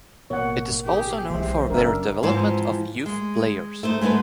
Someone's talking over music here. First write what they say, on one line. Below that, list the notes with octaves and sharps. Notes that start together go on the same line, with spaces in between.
It is also known for their development of youth players.
A1 B2 A#3 C#5 F#5
G4 G#4
B1 E3 G#3 G4 C5 E5
F#1 F#2 C#3 D4 A#4 E5
G#2 E3 F3 C4
G#3
A3 D#4 C5
G#3 A3 B3 D#4 B4